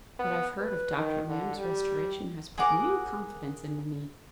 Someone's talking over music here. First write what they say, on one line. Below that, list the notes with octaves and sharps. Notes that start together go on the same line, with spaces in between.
"What I have heard of Dr. Lamb's restoration has put new confidence into me."
B3
B4
D#3
D3
G3
G#4 A#4 F#5 D6